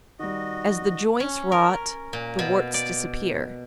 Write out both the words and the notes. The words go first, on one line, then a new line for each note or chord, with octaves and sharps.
As the joints rot, the warts disappear.
D#3 G3 F#4 D#5
C#4
A#4
A#2
B2
D5